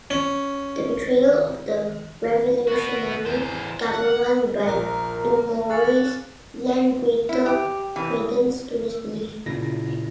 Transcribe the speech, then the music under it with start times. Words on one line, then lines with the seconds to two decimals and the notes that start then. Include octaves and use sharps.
The betrayal of the revolutionary government by Dumouriez lent greater credence to this belief.
0.10 C#4
2.68 B3 F#4
3.25 E2 C5
3.87 F#5
4.66 A#1 F3 A#4 F#6 A#6
5.70 G#4 F5 C#6 D6 F#6 A6 C#7
7.29 E4
7.46 G4
7.96 E3
9.46 A#2 C#3 E4 A#6